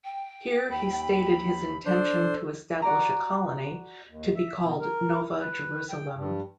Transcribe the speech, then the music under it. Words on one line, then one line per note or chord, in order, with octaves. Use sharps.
Here he stated his intention to establish a colony, to be called Nova Jerusalem.
G5
D#2 B5
D4 A4 C5
F#4 D5 A#5
D#2
E5
B2
A#4
B4
G5
G2